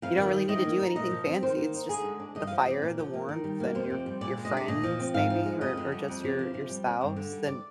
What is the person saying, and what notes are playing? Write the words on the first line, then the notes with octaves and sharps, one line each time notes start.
You don't really need to do anything fancy, it's just the fire, the warmth, and your your friends maybe, or or just your your spouse, and
F2 F5
D#3
G3
D#3 D#5
A#3
D#4
A#2 D#5
F3
C4
D#3 C5
A#3
D#4
D3 G#4
G#3
D4
G2 D#5
F5
F3
D#5
C4 D5
A#2
F3
A#3
D#3
G3
A#3
F2 C5
C3
G3
A#2 D5
G#3
D#5
D4 D5
A#2 D#5
F3
C4
G#2 F5
F3
G#3
F2 D#5
D3
G3
F2
C3
F3
C3
G3
C4
G2
D3
G3
D5